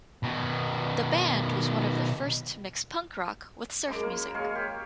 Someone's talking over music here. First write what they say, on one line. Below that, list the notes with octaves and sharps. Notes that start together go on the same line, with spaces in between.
The band was one of the first to mix punk rock with surf music.
B2 D#3
F#2 G#3 D6
A#3
G#3 C#5 F5
G4